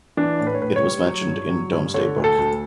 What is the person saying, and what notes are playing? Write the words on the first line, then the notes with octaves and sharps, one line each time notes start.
It was mentioned in Domesday Book.
E3 D4
A2
B4
C#5
A2 B4
C#5
G3
F#3
G2
F#3
G2
D3 C#5
D2
A4
D2